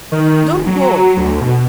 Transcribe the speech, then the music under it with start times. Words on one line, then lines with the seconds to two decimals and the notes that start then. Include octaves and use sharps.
Don't go!
0.12 D#3
0.53 F1
0.67 F#3
1.17 D2
1.41 B2